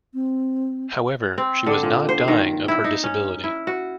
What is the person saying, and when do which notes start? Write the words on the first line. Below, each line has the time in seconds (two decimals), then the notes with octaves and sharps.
However, she was not dying of her disability.
0.14 C4
1.38 C4
1.66 D3
1.83 A#2
2.09 C5
2.28 D#3
2.68 E4
2.84 D#4
3.04 C#4
3.44 E4
3.67 F#4